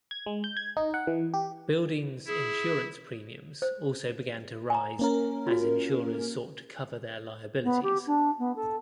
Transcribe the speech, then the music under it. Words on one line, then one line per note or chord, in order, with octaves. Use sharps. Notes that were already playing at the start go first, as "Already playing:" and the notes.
Buildings insurance premiums also began to rise as insurers sought to cover their liabilities.
G#6
G#3
G6
G#6
D#4
F#5
E3
G4
E4 G#4
C5
G#5 A#5
A#3 C#4 A#4
F4 F#4
B3
G4
D4
B3
A4